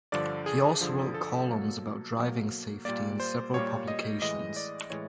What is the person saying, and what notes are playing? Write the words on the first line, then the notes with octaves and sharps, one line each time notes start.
He also wrote columns about driving safety in several publications.
G2 D3 F3 D5
G#4
G2 D3 F3
A4
B2 F#3 A#3
B2 F#3 A#3
A#2 G3 A#3 D5
C5
A#2 G3 A#3 C#5
D#5
A2 E3 G#3 D#5
D5
A2 E3 G#3 C#5